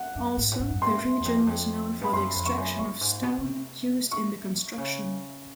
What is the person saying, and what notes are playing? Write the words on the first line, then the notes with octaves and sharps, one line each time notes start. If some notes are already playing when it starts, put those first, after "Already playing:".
Also, the region was known for the extraction of stone used in the construction.
Already playing: F#5
F#2
G#2
A2
G#2
F#2
G2 C6
G2
E2
F2
E2
F2
G2 B5
F#2 C6
F2
C#6
F#2
G2 C#6
G#2
B2
C#3
C3
C#6
C#3